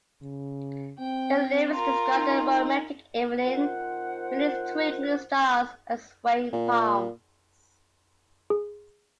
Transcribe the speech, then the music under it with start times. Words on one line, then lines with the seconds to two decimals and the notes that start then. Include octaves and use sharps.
The lyrics describe a romantic evening beneath twinkling stars and swaying palms.
0.22 C#3
1.00 C4 G5
1.71 F4 A#4
2.16 D#4
3.45 D#3 C4 F4 C5 F#5
6.53 A#2
8.50 G#4